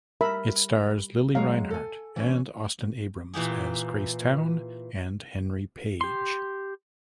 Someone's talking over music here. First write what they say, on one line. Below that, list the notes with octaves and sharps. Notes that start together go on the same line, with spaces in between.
It stars Lili Reinhart and Austin Abrams as Grace Town and Henry Page.
G3 A#4 E5 B5
F#3 G#3 G#4 F5
A4 G#5
E3 C#4
A#2 E3 G4 G#4
G4 C6